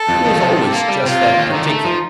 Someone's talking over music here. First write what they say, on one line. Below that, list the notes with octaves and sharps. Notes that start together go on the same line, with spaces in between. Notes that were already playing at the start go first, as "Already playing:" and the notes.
He was always just that particular.
Already playing: A4
F2
D#3
C3
C3
A#3
G3
C3 F4
A#3
D#3
D3 D#4
A3
F3